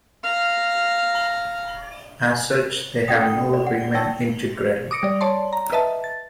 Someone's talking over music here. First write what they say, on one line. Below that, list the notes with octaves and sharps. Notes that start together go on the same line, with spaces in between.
As such, they have no Riemann integral.
F5 A#5
C#4 A4 A#4 F#5 G5 D#6
A4 G5
D5
F#5
D#4 D5 G5 A5 C#6 E6
D6 D#6 A#6 C#7 D7
G3 D5
C#5 D5 A5 C6
A#5
B4 D#5 E5 A5
A6